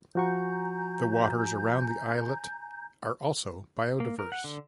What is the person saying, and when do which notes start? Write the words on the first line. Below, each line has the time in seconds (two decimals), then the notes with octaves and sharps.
The waters around the islet are also biodiverse.
0.15 F3 F#4 G#5 A#5 C#6 G6
4.00 A#3
4.19 A#4
4.32 F#5
4.44 D3